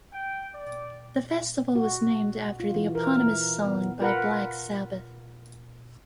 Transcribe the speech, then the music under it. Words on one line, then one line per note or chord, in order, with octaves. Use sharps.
The festival was named after the eponymous song by Black Sabbath.
G5
D5
F#4
F4
E3
A#4
B3
F4 A#4 B4 F#5